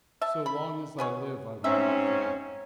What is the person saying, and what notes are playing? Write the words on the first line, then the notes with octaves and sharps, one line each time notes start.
So long as I live I will not forget.
E5 A5
B5
B3 G#4 C#5
G#2 C4 C#4 E5